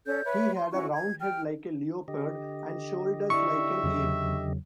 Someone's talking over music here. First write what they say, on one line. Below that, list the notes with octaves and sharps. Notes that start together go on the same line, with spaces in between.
He had a round head like a leopard and shoulders like an ape's.
C#4 A4 D5 G6
B4 C#5 E5
C6
C#4 E4 F#4 C#6
G#6
G5 F6
D3 G4 D#5
E4 D5 E5 C#6
E2 C#3 F#3